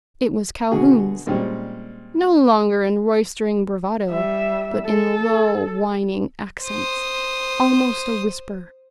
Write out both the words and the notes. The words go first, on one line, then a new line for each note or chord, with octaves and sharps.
It was Calhoun's--no longer in roistering bravado, but in low whining accents, almost a whisper.
B2 D3 F#4 G#4
A#2 G3 G#3 C4 C#4
G3 E5
A4
C5 D#6